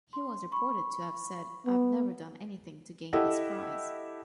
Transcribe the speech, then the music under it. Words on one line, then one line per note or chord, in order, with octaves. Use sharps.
He was reported to have said, I've never done anything to gain this prize.
C6
B5 C#6
B3
E4 G4 A4 D#5 E5 F#5